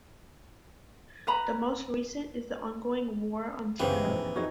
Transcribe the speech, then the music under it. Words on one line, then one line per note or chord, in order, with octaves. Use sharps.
The most recent is the ongoing War on Terror.
B4 A#5 B5
G1 C#2 E3 G4 G#4 C5 F5
A#1 F2 G#2
F2 D#4 F#4 G#4 C#5